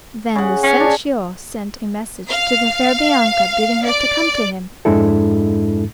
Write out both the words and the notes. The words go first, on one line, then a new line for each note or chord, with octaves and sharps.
Then Lucentio sent a message to the fair Bianca bidding her to come to him.
C#3 F#5
C#4 F5
D4
F5
D5
F2 G#2 G#3 D4 E4 A4